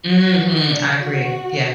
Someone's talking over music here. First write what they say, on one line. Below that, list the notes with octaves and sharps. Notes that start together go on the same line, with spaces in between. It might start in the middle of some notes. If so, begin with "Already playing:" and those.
Mhm, I agree. Yeah.
F#4
D4
F#4